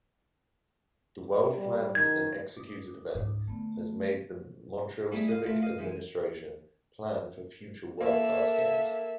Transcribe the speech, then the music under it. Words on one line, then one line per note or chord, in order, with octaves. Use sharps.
The well-planned-and-executed event has made the Montreal civic administration plan for future world-class games.
G3
D#3 G#6
D6 D#6
C#2 G#2
D3 A3 B3
G3 A3 B3 E4 G#4 E5
D#5 F5
A3 F4 B4
D#5 F5
D#3 E3 G#3
A#3 A4 E5